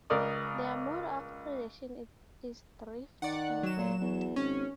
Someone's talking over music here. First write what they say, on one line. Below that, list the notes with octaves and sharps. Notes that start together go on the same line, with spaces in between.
Their mode of predation is "drift and wait".
C#2 A#4 D5 D#6
D#3 D5 F#5
F#3 E7
A#2
E2
G#1 C#4